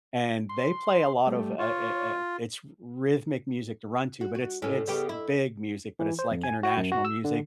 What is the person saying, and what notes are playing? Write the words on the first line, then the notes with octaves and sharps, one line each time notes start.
and they play a lot of, uh, eh, eh, eh it's rhythmic music to run to, but it's it's big music, but it's, like, international music,
C6
G3 A3
F4 C#5
F#4
F#4
A2 C#4
C#3 B3 G4
E4
E3
C5
F2
G#5
F#4
F#2
F#4
E6
D3